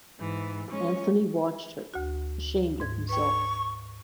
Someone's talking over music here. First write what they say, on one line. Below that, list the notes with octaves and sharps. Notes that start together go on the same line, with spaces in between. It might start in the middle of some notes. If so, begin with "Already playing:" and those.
Anthony watched her — ashamed of himself.
G#2 E3
G#3 C#4 C#6
D2 F#4
G#2 G#6
B4 G5 C#6